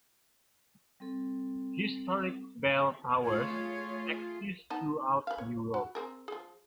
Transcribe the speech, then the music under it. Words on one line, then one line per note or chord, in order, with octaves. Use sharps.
Historic bell towers exist throughout Europe.
G3 C4 A4
A3 F4 G#4 C#5
B3 D#4 A5
B4 F5
C#5
F#4
C4 G#4 A#4
F3 G#4